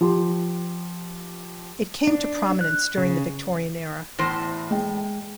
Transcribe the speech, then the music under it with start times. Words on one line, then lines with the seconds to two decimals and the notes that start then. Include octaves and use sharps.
It came to prominence during the Victorian era.
0.01 F3 G4 C6
2.07 D4
2.61 F#6
2.97 C#3
4.19 E2 A2 C5
4.70 G#3 G5